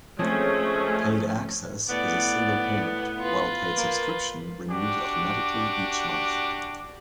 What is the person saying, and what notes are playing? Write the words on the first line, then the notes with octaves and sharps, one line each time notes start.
Paid Access is a single payment, while Paid Subscription renews automatically each month.
F3 G#3 A3 C4 C#4 G#4 C5 C#5
A2 B3 D5
F4 B4
A#3
D4 F#4 G4 D6